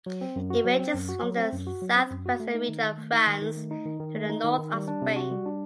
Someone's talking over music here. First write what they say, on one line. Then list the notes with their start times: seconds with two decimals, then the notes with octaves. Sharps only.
It ranges from the southwestern region of France to the north of Spain.
0.06 F#3
0.21 C4
0.36 F#2
0.50 F#4
0.65 F#3
0.79 C4
0.94 F#2
1.09 F#4
1.23 F#3
1.37 C4
1.52 F#2
1.67 F#4
1.81 F#3
1.96 C4
2.11 F#2
2.25 F#4
2.40 A3
2.54 D#4
2.69 D#3
2.83 D#3
2.98 A3
3.13 D#4
3.27 D#3
3.42 D#3
3.57 A3
3.71 D#4
3.86 D#3
4.00 D#3
4.15 A3
4.29 D#4
4.44 D#3
4.58 D#3
4.73 G3
4.88 D4
5.02 C3
5.16 F#4
5.31 G3
5.46 D4